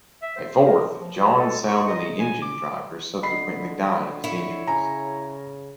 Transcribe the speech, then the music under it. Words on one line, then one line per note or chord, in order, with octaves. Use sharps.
A fourth, John Salmon the engine driver, subsequently died of his injuries.
E5
C5
A#4
F3
G4
A4
C#6
D#5
G#5
D6
D3 D#5 B5 C7
E4 C#5
C#3 G#5 A#5